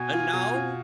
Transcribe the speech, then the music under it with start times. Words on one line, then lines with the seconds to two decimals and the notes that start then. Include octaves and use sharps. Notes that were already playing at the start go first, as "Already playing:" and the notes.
"And now
Already playing: B2 G#5
0.13 F4
0.33 B2
0.54 F4